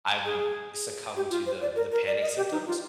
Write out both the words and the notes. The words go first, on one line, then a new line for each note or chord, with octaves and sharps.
I would succumb to the the panic symptoms,
G#4
G4
F4
C5
D5
A#4
A#4
D5
D#5
G4
D#4
F4